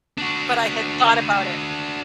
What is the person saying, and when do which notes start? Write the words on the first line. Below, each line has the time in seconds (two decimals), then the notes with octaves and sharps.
But I had thought about it.
0.18 D4 F#4